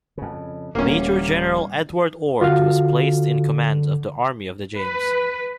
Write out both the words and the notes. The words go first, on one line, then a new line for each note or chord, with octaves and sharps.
Major General Edward Ord was placed in command of the Army of the James.
F2 C#3
D#1 A#2 G3 A#3 C#4
D3 F4 F#4 F5
B4